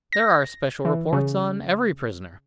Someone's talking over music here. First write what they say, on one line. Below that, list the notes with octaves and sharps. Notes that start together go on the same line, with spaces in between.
"There are special reports on every prisoner."
A#6
E3
C#3